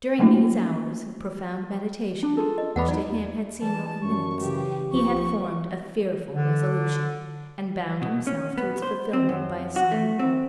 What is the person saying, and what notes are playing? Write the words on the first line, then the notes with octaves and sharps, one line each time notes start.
During these hours of profound meditation, which to him had seemed only minutes, he had formed a fearful resolution, and bound himself to its fulfilment by a solemn oath.
F#3 A3 A#3 C#4 D#4 F4
D4
F4 G#4 A4
D#5
E2 B3 D5 F#5 B5
F#3 D#4 E4 D5
E3 G3 A5
F#2 C#6
C#3 E3 G4
B1 F3 C4 G4 C#6
D3
B2
C#4
B3
C5
C4
F#2
F#4
A3
C4